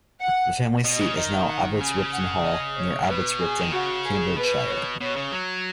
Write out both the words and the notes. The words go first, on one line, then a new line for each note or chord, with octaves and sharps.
The family seat, is now Abbots Ripton Hall, near Abbots Ripton, Cambridgeshire.
F#5
B2 D#5
C#3
D#3 D#5
F#5
C#3 G#5
F#5
D#5
C#5
G#2
B2 B4
G#4
D#3
C#3 F#4
G#4
B2 B4
C#5
B2 C#5
C#3
F#3